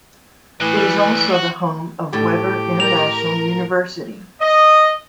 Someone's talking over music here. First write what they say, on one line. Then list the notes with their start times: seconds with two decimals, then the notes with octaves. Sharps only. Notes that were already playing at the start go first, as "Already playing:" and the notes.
It is also the home of Webber International University.
0.60 A2 E3 F#6
0.77 G3 A3
1.33 F#4 F#5
2.13 A2 G4
2.80 A#4 F7
4.41 D#5